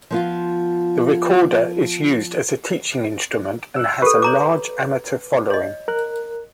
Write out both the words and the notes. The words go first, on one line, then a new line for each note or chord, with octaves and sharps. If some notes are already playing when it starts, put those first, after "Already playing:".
The recorder is used as a teaching instrument and has a large amateur following.
F3 B3 F4
E6 F#6
G4 A4 B4
C#5 A#5 D6
C#5 D#5
A#4 F#6